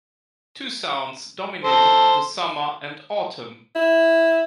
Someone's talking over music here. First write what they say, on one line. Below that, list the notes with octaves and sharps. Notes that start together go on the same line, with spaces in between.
Two sounds dominated the Summer and Autumn.
A4 C5
E4